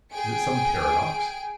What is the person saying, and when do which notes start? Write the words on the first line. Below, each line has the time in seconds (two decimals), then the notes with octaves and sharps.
Is it some paradox?
0.13 G#4 G5 G#5 D7